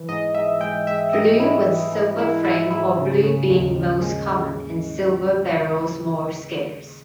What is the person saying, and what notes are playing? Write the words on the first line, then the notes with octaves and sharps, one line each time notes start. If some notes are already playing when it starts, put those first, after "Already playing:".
Blue with silver frame or blue being most common and silver barrels more scarce.
Already playing: E3
G#2 D#5
G#2 E5
G#3 G5
G#3 E5
G#2 D#5
G#2 E4
E3
G#2
G#3 E4
G#2 E4
G#2 E4
C#3
C#3
D#2
D#2
G#3